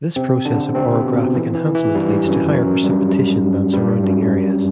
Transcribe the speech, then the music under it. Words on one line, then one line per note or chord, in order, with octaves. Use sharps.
This process of orographic enhancement leads to higher precipitation than surrounding areas.
C3 C4
D3 D4
C3 C4
B2 B3
E3
E3
E3
G2 G3
F#2 F#3
F#2 F#3
G2 G3
G2 G3
F#2 F#3